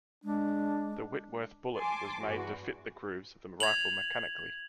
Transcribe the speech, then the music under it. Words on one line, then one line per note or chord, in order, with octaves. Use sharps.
The Whitworth bullet was made to fit the grooves of the rifle mechanically.
G#3 D4
G#5 A5 C6 D6
E2 G2 F#4
G#6 F7 F#7